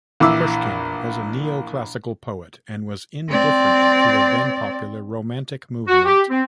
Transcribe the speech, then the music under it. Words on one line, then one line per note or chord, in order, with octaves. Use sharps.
Pushkin was a neoclassical poet and was indifferent to the then-popular romantic movement.
A#1 E3 E5 D6 E6
C4 D5
F#4
G4
C4